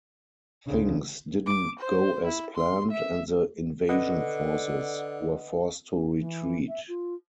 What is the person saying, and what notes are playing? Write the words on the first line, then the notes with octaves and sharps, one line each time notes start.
Things didn't go as planned and the invasion forces were forced to retreat.
D2 C#3 D4
D6
C5
E4
C6
E5
D3 B4 D#5 F#5
E3
E5
F4